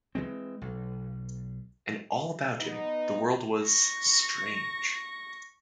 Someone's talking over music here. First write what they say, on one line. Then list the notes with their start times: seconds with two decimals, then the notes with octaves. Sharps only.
And all about him, the world was — strange.
0.15 E3 F3 G#3 C4
0.62 B1
2.58 B3 D#4
3.66 C#6 A#6